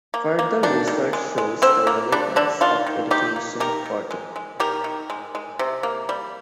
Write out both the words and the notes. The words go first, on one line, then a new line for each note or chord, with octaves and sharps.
Further research shows the relevance of education for the economic welfare of people.
A#3
A#3
D#3 D4
D#3
G#3
G#3
D3 C4
A#3
G3 D4
D3 D4
D#3 D4 F4
D#3
A#3 D#4 G4
A#3
D#3 G4 A#4
D#3
G#3
G#3
D#3 G4 A#4
D#3
G#3
G#3
C3
A#3
G3